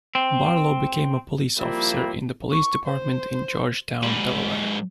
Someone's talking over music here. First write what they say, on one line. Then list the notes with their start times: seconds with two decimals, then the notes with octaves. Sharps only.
Barlow became a police officer in the police department in Georgetown, Delaware.
0.15 C4
1.58 F3 G3 A#3 C4 E4
2.50 C#6
2.86 C5
4.03 G#2 B4